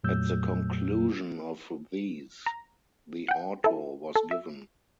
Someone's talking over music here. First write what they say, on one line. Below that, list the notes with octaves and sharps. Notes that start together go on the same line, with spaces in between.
At the conclusion of these, the auto was given.
F2 A#2 F#3 A3 E6 G6
A#5
F#5 G5
E4 A4
A4
E5